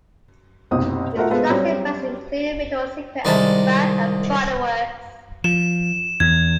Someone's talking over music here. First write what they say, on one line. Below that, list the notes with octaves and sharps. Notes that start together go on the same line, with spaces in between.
Its flagship brands include Victoria's Secret and Bath and Body Works.
F#1 B1 C3 D#6
A3 F4 F#4 A#4 E5 F#5
G#3 B3 A4 B4 C5 F5
F#3 G3 C4 C#4
C2 D#3 G#3 A5
F3 E7
E2 G#6